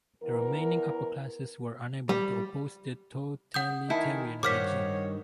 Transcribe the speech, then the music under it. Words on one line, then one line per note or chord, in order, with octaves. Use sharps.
The remaining upper classes were unable to oppose the totalitarian regime.
E2 E3 A#4
G3
F#5 D#6 G6
D#3 E4 A4 G#5
G2 D#3 C5 C#5 F#5 D6 F6 B6